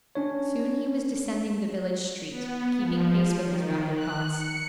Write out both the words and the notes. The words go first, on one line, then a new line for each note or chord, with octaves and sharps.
Soon he was descending the village street, keeping pace with his rapid thoughts.
C#4 D4 C#5
B3
F3
D#3
F#6
C#7